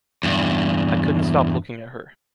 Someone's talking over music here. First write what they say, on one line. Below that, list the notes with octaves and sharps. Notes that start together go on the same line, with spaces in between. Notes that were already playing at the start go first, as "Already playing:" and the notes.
I couldn’t stop looking at her.
E2 G2